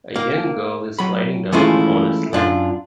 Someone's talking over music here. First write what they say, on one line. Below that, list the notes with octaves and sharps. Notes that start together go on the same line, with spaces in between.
A young girl is sliding down on a sled.
A#3
F#3 B5
E3 G#3 A3 C#4 E4 F4
F#2 D4 F4